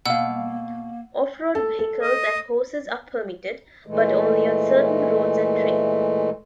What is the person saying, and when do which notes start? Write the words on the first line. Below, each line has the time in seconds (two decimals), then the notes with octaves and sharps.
Off-road vehicles and horses are permitted, but only on certain roads and trails.
0.06 B2 A#3 F5 F#5 E6
1.55 A4
1.79 A4
2.01 D#5
3.87 A#2 E3 G#3 A3